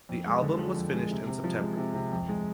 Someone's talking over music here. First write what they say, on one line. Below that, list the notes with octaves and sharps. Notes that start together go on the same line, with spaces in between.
The album was finished in September.
F2
G#3
D3
F3
F2
G#3
C3
C3
F3
G#3
C3
C3
F2
G#3